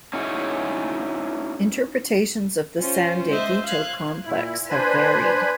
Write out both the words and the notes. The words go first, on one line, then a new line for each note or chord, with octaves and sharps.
Interpretations of the San Dieguito Complex have varied.
C#4 D#4 E4 F#4 G#4 C#5
C#4 F4 C5
G#3 C5 D#5 E5
F5 F#6 G#6
A#2 E4
D4 B4 C5 G#5 B5